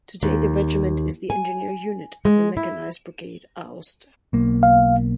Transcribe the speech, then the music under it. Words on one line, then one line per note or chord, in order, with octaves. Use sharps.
Today the regiment is the engineer unit of the Mechanized Brigade "Aosta".
D#2
G#5
G#3
E4
B1 A#3
F5